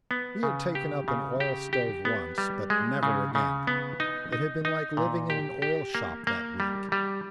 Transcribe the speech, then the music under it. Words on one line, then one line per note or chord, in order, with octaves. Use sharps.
We had taken up an oil-stove once, but "never again." It had been like living in an oil-shop that week.
B3
C#3
G4
C#3
G4
G4
B3
G3
G#3
C#3
C#3
B3
D#4
D#4
D#4
A#2
G4
G4
A#3
A#3
G3
G3